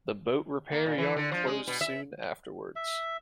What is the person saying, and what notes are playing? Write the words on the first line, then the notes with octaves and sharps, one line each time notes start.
The boat repair yard closed soon afterwards.
A#3
A#2
E3
D3
F3
G#3
B2
E5
E5